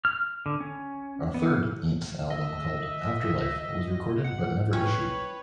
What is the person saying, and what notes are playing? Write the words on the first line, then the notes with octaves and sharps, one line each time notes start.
A third Aints album called "Afterlife" was recorded but never issued.
F6
D3
C#4
B3
D#5 E5
F#5
C#4 B4 C#5 G5 C#6